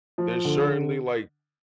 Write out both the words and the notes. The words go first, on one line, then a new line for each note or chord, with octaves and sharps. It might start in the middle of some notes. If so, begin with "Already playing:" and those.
there's certainly, like,
F3
D3